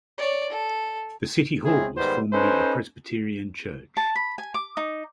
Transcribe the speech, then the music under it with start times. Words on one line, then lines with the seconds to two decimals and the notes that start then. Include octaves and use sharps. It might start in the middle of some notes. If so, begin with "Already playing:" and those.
The City Hall was formerly a Presbyterian Church.
0.18 C#5 D5
0.50 A4
1.64 G#3 C4 C#4 E4 G#4
1.97 G#2 D#3 G3 B3 B4 C5
2.32 C#4 D#4 A4 B4 C5
3.97 A5
4.16 B5
4.38 G#5
4.54 D6
4.77 D#4